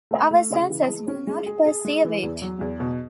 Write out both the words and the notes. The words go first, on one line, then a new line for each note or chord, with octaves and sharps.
Our senses do not perceive it.
A3
A3
C#3
E3
G#3
C#4
G#3
G#4
G#4
G#3
E3
E2
F#3
E2
B2